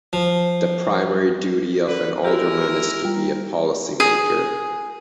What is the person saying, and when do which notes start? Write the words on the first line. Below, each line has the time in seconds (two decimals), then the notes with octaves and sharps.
The primary duty of an alderman is to be a policy maker.
0.13 F3
1.85 D3 B4
2.24 G#3 E4 F#4 G4 A#4
3.02 G3 F4
4.00 G#4